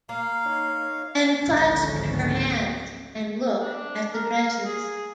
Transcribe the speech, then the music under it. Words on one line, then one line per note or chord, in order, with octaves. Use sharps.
Anne clasped her hands and looked at the dresses.
A#3 F5
D#4 C#5
G#1 C#2 D3 F3 C#4
D4
A#4
G#4